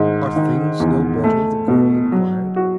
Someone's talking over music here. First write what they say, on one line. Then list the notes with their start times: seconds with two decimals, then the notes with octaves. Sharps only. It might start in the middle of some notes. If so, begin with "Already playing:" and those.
'Are things no better?' the girl inquired.
Already playing: G#2 D#3
0.36 D#3
0.80 E2
1.24 A3
1.68 B2
2.12 F#3
2.56 F#4